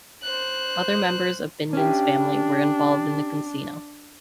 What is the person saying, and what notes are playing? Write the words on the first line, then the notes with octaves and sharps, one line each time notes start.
Other members of Binion's family were involved in the casino.
C5 F#6
C#4 D4 G4